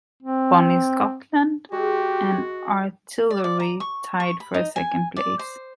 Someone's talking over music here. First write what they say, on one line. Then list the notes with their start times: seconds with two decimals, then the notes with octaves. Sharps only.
Bonnie Scotland and Artillery tied for second place.
0.23 C4
1.72 G#3 F#4 G4
3.31 D5
3.44 D5
3.60 A#5
3.80 C#6
4.20 C#6
4.40 B5
4.54 D#4
4.76 G#5
5.16 D5
5.39 C5